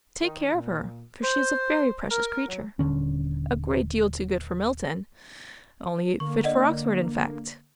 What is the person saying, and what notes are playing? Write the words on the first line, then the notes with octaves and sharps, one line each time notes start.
Take care of her, for she is a very precious creature,--a great deal too good for Milton,--only fit for Oxford, in fact.
D#3
A#2
C5
A#4
F#3
D#1 A#1 D3 C#4
D3 A#3 C#6
D5 D#5 F#5